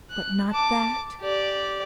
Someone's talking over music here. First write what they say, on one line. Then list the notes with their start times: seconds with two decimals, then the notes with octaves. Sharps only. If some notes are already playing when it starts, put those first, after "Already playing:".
"But not that?"
0.11 F#6
0.51 A5 D6
1.21 G4 D5